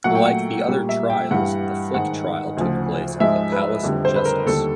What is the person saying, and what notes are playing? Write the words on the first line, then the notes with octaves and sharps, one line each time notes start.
Like the other trials, the Flick trial took place at the Palace of Justice.
A#2 F#3 A3 F#5
G5
F#5
A#2 G3
E5
G5
G2 E3 G3 F#5
G#2 D#3 G#3 F#5
D2 C#3 F3
G#2 F3 G#3 E5
B4
F2 D3 G3
C5
B4
A#4
D#2 D3 G3 A4